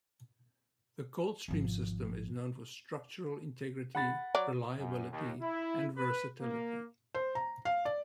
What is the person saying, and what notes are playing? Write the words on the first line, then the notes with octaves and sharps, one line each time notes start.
The cold stream system is known for structural integrity, reliability, and versatility.
G#1 F3
F#5 B5 A6
F#3 D5
F#2
D#2
E4
B4
A#3
C5
A#5
F5
D5